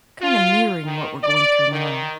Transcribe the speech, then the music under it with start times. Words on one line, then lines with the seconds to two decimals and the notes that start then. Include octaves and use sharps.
kinda mirroring what we're going through now,
0.22 F4
0.84 D#3
1.24 D5
1.71 D#3